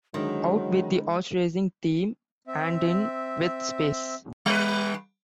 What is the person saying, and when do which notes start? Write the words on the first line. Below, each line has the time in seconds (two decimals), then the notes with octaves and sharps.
Out with the horse-racing theme and in with space.
0.14 D3 D#3 F#3 G#3 C4 E4
2.47 C4 E5
4.46 G3 B4